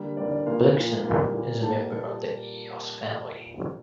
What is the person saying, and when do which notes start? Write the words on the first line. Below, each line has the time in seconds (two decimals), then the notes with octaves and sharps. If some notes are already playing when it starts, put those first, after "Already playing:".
"Blixen" is a member of the Eos family.
Already playing: D3 G3 A#3
0.17 D3 G3 A#3 D5
0.32 D5
0.46 A#2 F3 A#3 F4 F5
0.75 A#2 F3 A#3
1.04 A#2 G3 A#3
1.33 A#2 G3 A#3
1.62 A#2 G3 A#3 A4 A5
1.91 A#2 G3 A#3